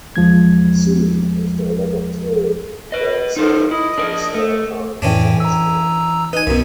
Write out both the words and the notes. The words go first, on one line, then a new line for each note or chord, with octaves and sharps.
Soon, after a lot of touring, the band signed to Startime International.
E2 F3 G#3 G#6
B4 D#5
D#4 A4 A#4 C5
E4 D#5
D4 A#4
A3
F2 A2 E3 C#4 D4 G5
A#5 E6
D#4 B4 G#5
C2 F#2 B2